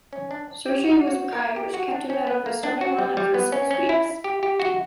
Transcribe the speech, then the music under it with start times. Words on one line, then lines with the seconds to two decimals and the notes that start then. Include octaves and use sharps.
Surgery was required which kept him out of the starting lineup for six weeks.
0.13 C#4
0.31 D4
0.66 G4
0.84 F#4
1.08 F#4
1.33 A#4
1.56 G4
1.74 F#4
1.91 D4
2.10 C#4
2.27 B3
2.46 A#3
2.63 D4
2.81 F#4
2.99 G3
3.17 G3
3.34 B3
3.52 C#4
3.71 C#4
3.89 E4
4.24 G4
4.43 G4
4.60 F#4